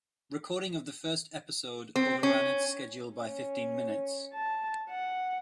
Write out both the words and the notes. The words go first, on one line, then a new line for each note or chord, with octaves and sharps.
Recording of the first episode overran its schedule by fifteen minutes.
C4
C#4
C#4
A5
F#5